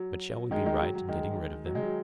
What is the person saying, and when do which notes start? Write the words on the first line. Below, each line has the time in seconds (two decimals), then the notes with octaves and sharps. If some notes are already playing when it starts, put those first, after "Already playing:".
But shall we be right in getting rid of them?
Already playing: F#3
0.51 D#3 G#3
0.66 D#3 G#3
0.80 F#3
0.95 F#3
1.09 D#3 G#3
1.65 F#3
1.75 G#3
1.83 F#3